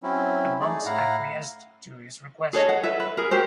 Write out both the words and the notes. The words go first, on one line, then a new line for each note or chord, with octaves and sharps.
The monks acquiesced to his request.
F#3 C4 C#4 E4
A3 D#4 G#4 D5
A2 E4 F5 F#5 A#5
G#4 A4 C#5 D#5
F#5
A4 B4 E5
B4
G#4 A#4
F#4 G4 A#4 C5